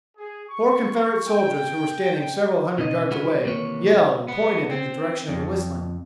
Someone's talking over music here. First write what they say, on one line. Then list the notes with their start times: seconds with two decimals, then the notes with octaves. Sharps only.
Four Confederate soldiers who were standing several hundred yards away yelled and pointed in the direction of the whistling.
0.18 G#4
0.49 C#6
1.28 G5
2.78 B2 C#4 D#5
3.11 C3 G3 F4 F#4 G#4 B4
3.44 D#2 C3 E3 A#3 B4 C#5
4.28 B3
4.71 C4
5.28 F2